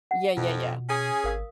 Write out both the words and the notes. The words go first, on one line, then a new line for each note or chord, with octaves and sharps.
Yeah, yeah, yeah.
F#5
F2 B2 F4
C#4 G#4
G#1 A#4 F5 D#6